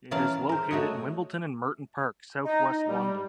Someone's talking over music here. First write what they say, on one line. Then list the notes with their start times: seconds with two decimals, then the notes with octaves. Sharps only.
It is located in Wimbledon and Merton Park, South West London.
0.11 E3 C#4 A#4 D5 F5 A5
0.49 A#4 C5
0.71 A3 F#4 C#5 D#5
2.45 D#4
2.67 D#4
2.89 G3